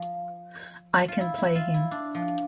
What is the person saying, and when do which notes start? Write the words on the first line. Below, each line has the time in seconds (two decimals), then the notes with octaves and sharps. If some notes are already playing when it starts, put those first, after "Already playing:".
I can play him.
Already playing: F3
1.08 F4
1.21 E4
1.38 E4
1.55 F4
1.74 E4
1.91 D4
2.15 F3